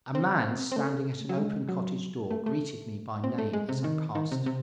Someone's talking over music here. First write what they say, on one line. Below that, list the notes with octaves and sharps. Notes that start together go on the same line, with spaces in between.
A man standing at an open cottage door greeted me by name as I passed.
C4
C4
A3
F#3
G#3
F#3
A3
A3
C4
A3
G#3
C3
D#3
D#3
C3
C3